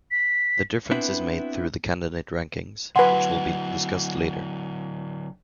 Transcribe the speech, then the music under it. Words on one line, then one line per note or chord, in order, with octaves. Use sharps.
The difference is made through the candidate rankings, which will be discussed later.
B6
B3 C4 D4 E4 B4
D3 F#3 B4 F#5 G#5 C6